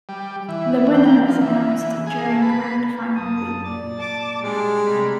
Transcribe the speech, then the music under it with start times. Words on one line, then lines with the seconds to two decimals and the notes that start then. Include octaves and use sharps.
The winner is announced during grand final week.
0.09 G3
0.48 E3
0.94 G5
1.28 F3
1.41 E3
2.07 G#4
2.29 A3
2.42 B4
3.16 F#2 A5 D#6
3.64 A#2 D5 A6
3.97 A5 D6
4.41 G3 G#3 D4
4.86 C3 G3 A3 A#5 B5